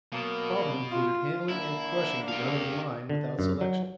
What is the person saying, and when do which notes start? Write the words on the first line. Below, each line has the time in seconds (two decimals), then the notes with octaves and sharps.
The problem included handling and crushing the "run of the mine," without selection.
0.12 B2 F#3 A#3
0.91 F4
1.49 D3 A#3 E4
2.28 G4 F5
3.09 D3
3.39 F#2
3.61 F#3